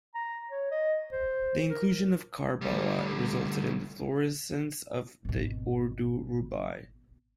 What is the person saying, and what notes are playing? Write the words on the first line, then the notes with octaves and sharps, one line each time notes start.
The inclusion of Karbala resulted in the florescence of the Urdu Rubai.
A#5
C#5
D#5
C5
A#4
D2 G3
G#1 B2